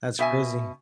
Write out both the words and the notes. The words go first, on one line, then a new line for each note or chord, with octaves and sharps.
That's crazy.
B2 E5 G#5